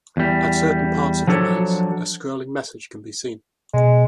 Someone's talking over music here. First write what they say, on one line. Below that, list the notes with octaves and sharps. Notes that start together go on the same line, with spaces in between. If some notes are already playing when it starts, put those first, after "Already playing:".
At certain parts of the maze, a scrolling message can be seen.
E2 G3
F3 F#3 D4 A4 C#5
B2 G#3